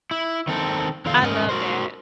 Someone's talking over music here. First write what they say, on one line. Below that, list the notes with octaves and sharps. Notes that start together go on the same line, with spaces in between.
I love that.
E4
D#3 C4 A4
E2 D3 F4 A4 F5
G#2 C#4 A#4 D#5
F#4 A#4 C5